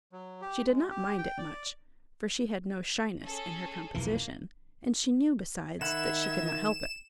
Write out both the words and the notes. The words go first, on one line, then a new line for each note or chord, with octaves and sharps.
She did not mind it much; for she had no shyness in her composition; and she knew, besides, that she could not help it.
F#3
G4
G#3
G4
G5
D5
C#4 G#4 A4
B1 F2 E3 A#3
D#3 E5 F#5 B5 G#6 E7